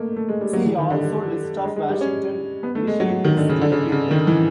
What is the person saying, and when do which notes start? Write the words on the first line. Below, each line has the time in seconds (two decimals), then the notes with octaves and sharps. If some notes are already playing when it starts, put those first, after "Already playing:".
See also List of Washington initiatives to the people.
Already playing: A3 A#3
0.16 A3
0.29 G#3
0.41 G3
0.53 F#3
0.65 E3
0.78 D#3
0.90 D3
1.03 G3
1.64 G#3
1.76 G#3
1.88 G3
2.01 C#4
2.63 B3
2.75 A3
2.87 G#3
3.00 F#3
3.24 D#3
3.37 D3
3.49 C#3
3.62 D3
3.72 C#3
3.92 C#3
4.11 D#3
4.27 E3